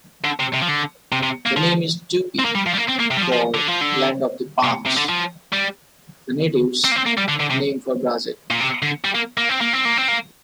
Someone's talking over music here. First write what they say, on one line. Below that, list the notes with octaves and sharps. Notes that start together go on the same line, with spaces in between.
The name is Tupi for "Land of the Palms", the natives' name for Brazil.
D3
C3
C3
F3
D3
C3
C3
A#3
F3
C4
A#3
G3
F3
G3
A#3
C4
A#3
C3
G3
F3
F3
D3
F3
D3
C3
C3
D3
F3
G3
C4
A#3
C4
A#3
G3
D3
D3
C3
A#2
C3
D3
G3
A#3
A#3
C4
A#3
C4
A#3
C4
A#3